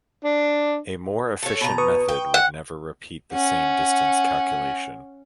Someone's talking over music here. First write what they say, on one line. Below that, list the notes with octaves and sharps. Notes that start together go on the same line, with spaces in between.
A more efficient method would never repeat the same distance calculation.
D4
A4 C#5
B2 A#5
B4 C#6 D#6
G5
F#5
C#4 F#5